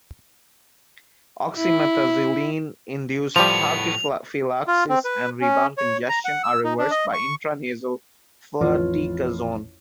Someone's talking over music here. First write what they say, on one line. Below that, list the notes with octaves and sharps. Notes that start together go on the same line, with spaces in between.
Oxymetazoline-induced tachyphylaxis and rebound congestion are reversed by intranasal fluticasone.
E4
A2 F3 G3 B3 F7
F4
C4
B4
C#4
C#5
A#5
F#5
E6
D#4
D4
D#5
C#6
A1 F2 E4 F4 B4 C#5